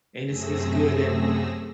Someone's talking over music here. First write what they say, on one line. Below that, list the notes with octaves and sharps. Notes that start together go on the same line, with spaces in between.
And it's just good that
F#2 C3 A3 G#4 E6 A#6